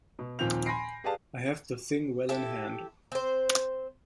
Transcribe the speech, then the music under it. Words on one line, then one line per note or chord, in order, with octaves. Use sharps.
I have the thing well in hand.
B2
D#2 A#2 F3 C4 G6 F7
G#5 B5 C6 A#6 C7 D7
G4 G#4 B4 D5 F5 A5
E4 G4 A4 E5
C4 C5